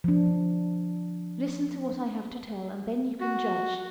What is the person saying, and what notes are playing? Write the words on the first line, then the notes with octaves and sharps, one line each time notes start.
Listen to what I have to tell and then you can judge.
F3 D4
F#4